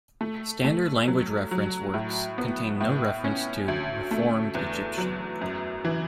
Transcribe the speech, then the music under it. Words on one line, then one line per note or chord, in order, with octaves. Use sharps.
Standard language reference works contain no reference to "reformed Egyptian".
A3
A3
F#3
F#3
A2
B3
A2
C#4
D2
A3
E2
F#3
F#2
E3